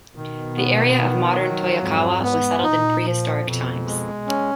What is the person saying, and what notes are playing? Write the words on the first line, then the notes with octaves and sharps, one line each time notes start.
The area of modern Toyokawa was settled in prehistoric times.
B2 D#3
B3
D#3
F#3
F2 G#2
B3
A#2 D#4
F3
F2 B2
G#3
C#4